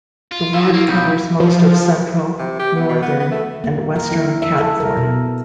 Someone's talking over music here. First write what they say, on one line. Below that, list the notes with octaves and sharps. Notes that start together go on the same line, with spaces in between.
The ward covers most of central, northern and western Catford.
F4
A#2 F3 E4 E5
A#3 F5
B1 D#4 G5 B5 C#6
F3
C3
G4
B3
B2
B3
B3
A3
A#3
A#4
E4
E5
A4
A#4
B2